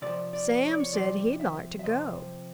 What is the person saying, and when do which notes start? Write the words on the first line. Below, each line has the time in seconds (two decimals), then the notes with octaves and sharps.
Sam said he'd like to go.
0.02 C3 F3 D5
0.33 D5
0.63 C#5
0.71 D5
0.80 C#5
0.93 C3 F3 D5
1.40 E5
1.79 E5
1.84 C3 F3 D#5